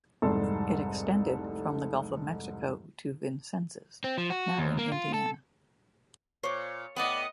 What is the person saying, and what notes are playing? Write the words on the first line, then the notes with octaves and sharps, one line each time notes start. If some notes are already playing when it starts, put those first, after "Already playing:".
It extended from the Gulf of Mexico to Vincennes, now in Indiana.
F1 C2 G#2 G3 A4 C6
C4
F3
F#4
D#2
A#3
F4
A4
A#2 C5 C#5 D6
A2 B3 D5 D#5 F#5 B5 D#6